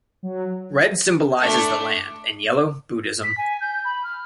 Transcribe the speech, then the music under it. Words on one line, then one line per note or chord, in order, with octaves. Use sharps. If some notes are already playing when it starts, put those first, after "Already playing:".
Red symbolises the land and yellow, Buddhism.
F#3
A3 D4
B6
G#5
G6
B5
F6